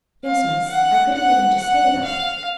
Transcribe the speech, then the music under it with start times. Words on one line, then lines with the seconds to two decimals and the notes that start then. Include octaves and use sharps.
"Yes, miss, I couldn't get him to stay though."
0.24 F5
0.69 F#5
1.14 F#5
1.59 F#5
2.04 F5